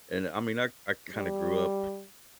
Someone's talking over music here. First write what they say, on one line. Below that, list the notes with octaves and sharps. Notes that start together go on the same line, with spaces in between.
and I mean, I I kinda grew up
G3